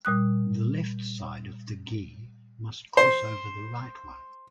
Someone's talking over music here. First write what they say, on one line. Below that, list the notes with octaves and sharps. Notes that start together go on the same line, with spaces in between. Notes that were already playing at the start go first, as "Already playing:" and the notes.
The left side of the gi must cross over the right one.
A#2 G3 D#6 F#6
C5